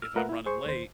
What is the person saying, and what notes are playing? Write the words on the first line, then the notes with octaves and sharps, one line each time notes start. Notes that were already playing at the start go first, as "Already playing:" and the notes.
if I'm running late
E6 F6
A3 F4 A#4 B4 E5 F#5
E4
G#4 C5 C#6
D#2 C5